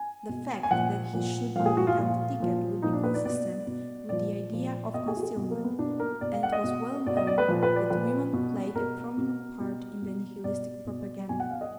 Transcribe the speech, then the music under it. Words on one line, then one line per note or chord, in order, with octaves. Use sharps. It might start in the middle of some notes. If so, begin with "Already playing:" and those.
The fact that he should be without a ticket would be consistent with the idea of concealment, and it was well known that women played a prominent part in the Nihilistic propaganda.
Already playing: G#5
B2
G#5
A#2 F3 F#5
A#2 F3
A#2 F3 F5
G#4
F#4
F4
A#2 F3 F4
A#2 F3
A#2 F3 D#4
D4
B4
D5
B2 D5
B2
A#2 F3 D5
A#2 F3
B2 D#5
G#4
F#4
G#4
B2
A#3
B3
B2 D4
A#4
B2 D5
F5
F#5
D#5
B2
B2 D5
D#5
D5
B4
A#2 F3
B4
D5
A#2 F3 B4
B2
B2 A#4
B2
B2
B2
B2 D5
B2
B2 G#5
F#5
F5
D#5